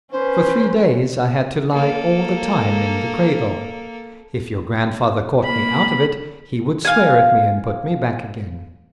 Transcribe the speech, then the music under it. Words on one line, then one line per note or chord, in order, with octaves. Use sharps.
For three days I had to lie all the time in the cradle: if your grandfather caught me out of it, he would swear at me, and put me back again.
C#4 B4 C5
A#3 A4
A#3 B5
F5 G#5